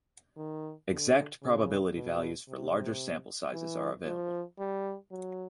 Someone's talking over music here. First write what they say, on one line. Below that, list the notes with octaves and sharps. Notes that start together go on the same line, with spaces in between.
Exact probability values for larger sample sizes are available.
D#3
D3
C#3
B2
C3
E3
F3
G3
F#3